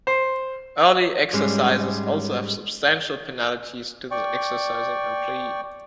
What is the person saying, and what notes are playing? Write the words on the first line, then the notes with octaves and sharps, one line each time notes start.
Early exercises also have substantial penalties to the exercising employee.
C5
G#2 G3 G#3 C#4
D5 G5 C#6